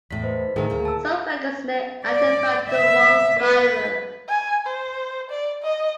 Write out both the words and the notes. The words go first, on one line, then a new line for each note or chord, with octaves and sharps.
Some records may identify the wrong driver.
E2 A2 B6
B4 C5 D#5
A2 D#3 E4 G#4 A#4
D2 A#3
A5 E6
D5
E5
B4
G#5
C5
D5
D#5